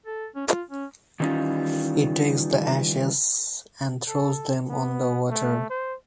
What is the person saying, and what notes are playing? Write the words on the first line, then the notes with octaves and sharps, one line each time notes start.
He takes the ashes and throws them on the water.
A4
C#4
F4
C#4
D#3 E3 G3 C#4 D#4 F4
A4
B3
A3
C5